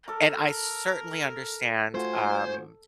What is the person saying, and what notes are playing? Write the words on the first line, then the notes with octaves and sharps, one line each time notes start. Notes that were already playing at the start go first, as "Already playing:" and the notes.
and I certainly understand, um,
A4 A#4 D6
A3 F4 F#4 C5 G#5